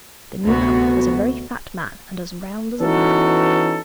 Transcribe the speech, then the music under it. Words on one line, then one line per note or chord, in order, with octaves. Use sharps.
The new-comer was a very fat man, and as round as a barrel.
D2 C3 B3 F#4
E3 B3 C#4 D#4 F#4 A4